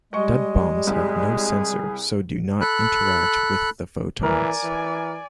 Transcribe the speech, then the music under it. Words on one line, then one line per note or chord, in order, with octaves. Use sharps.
Dud bombs have no sensor, so do not interact with the photons.
G3 G#3 D#5 C#6
C2 G#4
A4 B5 F#6
E3 A#4 D5 G#5
E3